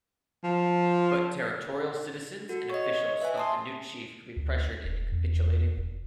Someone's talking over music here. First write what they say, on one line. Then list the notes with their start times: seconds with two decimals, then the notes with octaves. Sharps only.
But territorial citizens and officials thought the new chief could be pressured into capitulating.
0.44 F3
2.49 F#4 A4
2.70 C#5 D#5 C#6
3.22 B4 E5 G#5
3.38 A5 C6 D#6
4.37 D2
4.85 E1
5.12 E2
5.77 F1